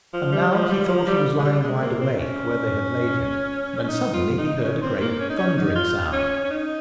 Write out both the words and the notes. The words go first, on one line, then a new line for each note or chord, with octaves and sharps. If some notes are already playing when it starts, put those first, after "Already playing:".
And now he thought he was lying wide awake where they had laid him, when suddenly he heard a great thundering sound.
F3
G3
F3
G3
F3
G3
G#3
G3
G#3
A#3
C4
C#4
C#4
D#4
F4
D#4
C#4
C4
A#3
C#4
D#4
C#4
D#4
F4
C#4
C#4
D#4